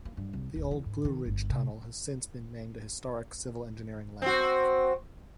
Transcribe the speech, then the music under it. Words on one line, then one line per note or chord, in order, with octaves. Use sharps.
The old Blue Ridge Tunnel has since been named a Historic Civil Engineering Landmark.
A#3
G2
C2
D1
E3
G#2
D#3
G1
C3
C4 F#4